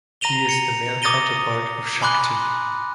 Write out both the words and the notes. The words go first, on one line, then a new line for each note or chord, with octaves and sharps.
He is the male counterpart of Shakti.
A#5 A#6 D#7 F7 G7
C#7
D6 D#6 A6 A#6 D#7 G7
G#5 B5 C6 D6 F#6